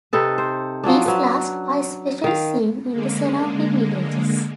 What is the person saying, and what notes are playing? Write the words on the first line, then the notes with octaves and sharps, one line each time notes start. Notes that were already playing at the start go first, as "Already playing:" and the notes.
These last are especially seen in the surrounding villages.
C3 D#4 A4 B4
C5
F3 F#3 C#4 D4
F#3 B4
D#3 F5
D3 G#3 A#3